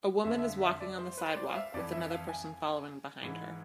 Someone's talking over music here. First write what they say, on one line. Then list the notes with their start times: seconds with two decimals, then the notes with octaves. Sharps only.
A woman is walking on the sidewalk with another person following behind her.
0.24 F2 D3 E5
0.39 E5
0.43 F5
0.62 E5
0.80 D5
0.99 C5
1.18 B4
1.29 C5
1.37 D5
1.50 F5
1.55 E5
1.74 F2 D5
1.77 E3
1.92 E5
2.10 F5
2.29 G#5
3.23 G#2 E3